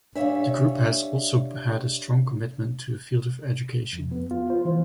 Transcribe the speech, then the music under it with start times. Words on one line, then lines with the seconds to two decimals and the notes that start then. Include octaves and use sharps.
The group has also had a strong commitment in the field of education.
0.15 G3 D4 C#5 E5 F5
3.93 F2
4.12 B3
4.31 F4
4.50 C5
4.65 E3